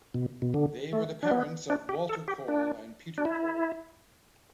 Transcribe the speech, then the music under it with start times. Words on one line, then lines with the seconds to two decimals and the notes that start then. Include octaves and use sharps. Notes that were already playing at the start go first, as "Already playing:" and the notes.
They were the parents of Walter Kohl and Peter Kohl.
0.14 B2
0.42 B2
0.54 D3
0.93 A3
1.23 D4
1.31 B3
1.70 D4
1.89 G4
2.09 A4
2.28 G4
2.48 D4
3.18 D4
3.25 E4